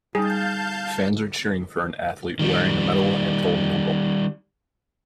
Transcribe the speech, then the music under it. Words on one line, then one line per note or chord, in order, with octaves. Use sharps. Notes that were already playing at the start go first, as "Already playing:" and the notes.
Fans are cheering for an athlete wearing a medal and holding a ball.
G3 D#4 G#4 F5 A5 G6
D#3 G3